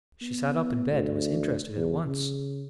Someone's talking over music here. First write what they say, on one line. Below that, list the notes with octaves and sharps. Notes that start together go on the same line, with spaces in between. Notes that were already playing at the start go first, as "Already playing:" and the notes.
She sat up in bed, and was interested at once.
B3
D2
E2
C#3